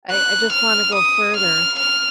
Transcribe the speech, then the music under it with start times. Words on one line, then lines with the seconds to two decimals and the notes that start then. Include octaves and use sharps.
I I just wanna go further.
0.11 F#6
0.52 F6
0.95 D#6
1.37 F6
1.79 F6